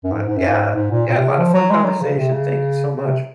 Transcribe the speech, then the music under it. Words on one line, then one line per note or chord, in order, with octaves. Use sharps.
But yeah, yeah, a lot of fun conversation, thank you so much.
F#2
G#2
G#2
F#2
G#2
G#2
A#2
A#2
C3
C#3
F3
F#3
G#3
F#3
C#3
C3
C#3
C#3
C3